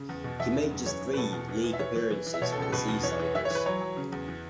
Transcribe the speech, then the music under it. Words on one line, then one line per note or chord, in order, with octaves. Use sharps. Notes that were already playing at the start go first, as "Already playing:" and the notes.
He made just three League appearances for the Seasiders.
Already playing: C#3
E2
B2
E2 E5
C#3
F#2
E3 C#5
E3
B4
B2 A4
E2
E3
E3
E5
E3 C#5
E3
E3
E3
E5
B2 C#5
A4
C#2
A4
B2 B4
E2
E3 C#5
E3
E3 E5
C#5
E3 B4
F#3 C#5
F#3
C#3
E2
E3